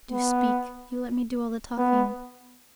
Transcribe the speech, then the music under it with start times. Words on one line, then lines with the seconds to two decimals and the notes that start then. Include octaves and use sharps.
Do speak! You let me do all the talking.
0.11 B3
1.78 B3